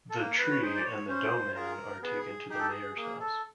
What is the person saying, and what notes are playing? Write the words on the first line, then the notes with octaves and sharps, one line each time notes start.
The tree and the dough-man are taken to the mayor's house.
A4
A#3 A#4
B4
C#5
D#4 G#4 C5
D5
C#5
C#4 C5
F4 G#4 A#4
B3 G#4
D#4 G4 G#4
A4
G#4
A#3 G#4
A4